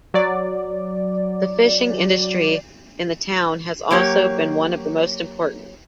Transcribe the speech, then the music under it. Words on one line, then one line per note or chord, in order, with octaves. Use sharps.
The fishing industry in the town has also been one of the most important.
F#3 D5
F#3 A#3 G4 C#5